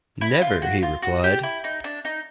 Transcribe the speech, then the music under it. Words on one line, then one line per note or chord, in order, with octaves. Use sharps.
'Never,' he replied.
E4
F4
F#4
F4
F#4
G4
E4
D#4
D4
D#4